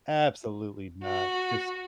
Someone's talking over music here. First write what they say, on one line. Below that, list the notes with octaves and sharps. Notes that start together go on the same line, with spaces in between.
Absolutely not, just
F#4